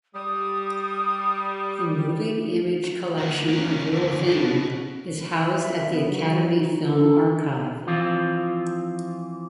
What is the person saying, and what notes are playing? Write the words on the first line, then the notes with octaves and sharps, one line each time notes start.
The moving image collection of Will Vinton is housed at the Academy Film Archive.
G3 D#6
D3 F#4
A#3 C#4
E2 D3
A4 C#5
B2
E5
B3
F#3
D#4
A4
D#4
E3 F3 C4 F4